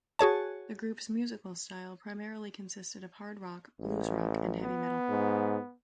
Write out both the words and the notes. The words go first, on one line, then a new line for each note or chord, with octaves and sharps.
The groups musical style primarily consisted of hard rock, blues rock and heavy metal.
F#4 G#4 C#5 A5
A1
B3
G#2